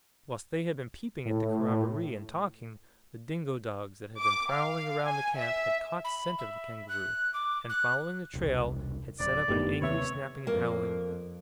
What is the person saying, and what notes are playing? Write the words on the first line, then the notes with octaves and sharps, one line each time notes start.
Whilst they had been peeping at the corroboree, and talking, the dingo dogs that had been prowling around the camp, had caught scent of the Kangaroo; and, following the trail, had set up an angry snapping and howling.
A2
D6
F5
G#5
E5
B5
E5
F#6
D6
F#6
E1 C2
D1 D5
F#1 G2 D#3 G3 A3 B3
D#2 C3 B4 C#5 E5 C#6
F2 A#3